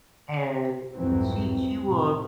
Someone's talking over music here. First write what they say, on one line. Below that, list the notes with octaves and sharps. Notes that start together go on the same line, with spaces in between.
and she she will
C2 F2 G#2 E3 F#3 C4
A2 C3